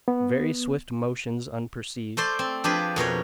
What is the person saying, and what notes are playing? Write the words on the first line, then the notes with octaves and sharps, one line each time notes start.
Very swift motions unperceived.
B3
A3 C5 D5 C6
C4
F3 D4 G4 G#4 B4
F2 B2 A#4 C#5